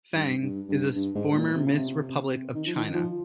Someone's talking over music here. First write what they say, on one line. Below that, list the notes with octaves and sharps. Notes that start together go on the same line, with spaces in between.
Fang is a former Miss Republic of China.
G2
G2
G2
G2
G#2
A#2
C3
C#3
C3
D#3
F3
D#3
F3